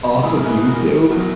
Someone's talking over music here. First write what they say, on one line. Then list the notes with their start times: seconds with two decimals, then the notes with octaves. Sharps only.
off of YouTube,
0.23 G#2 E3 G#3 E4 G#4
0.37 A#4
0.45 G#4 B4
0.58 B4
0.67 F#4 A#4
1.10 B2 F#3 F#4 A#4